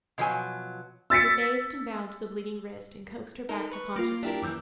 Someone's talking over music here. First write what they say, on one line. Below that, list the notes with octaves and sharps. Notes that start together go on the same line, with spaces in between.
They bathed and bound the bleeding wrist and coaxed her back to consciousness.
B2 F3 F#3 G#5
E6 A6 B6 C#7
D#4 A4 A#4
B4 C#6
A#3 F4 D6
D4 E4 G4 A#4
F#2 E3 D6 E6 G6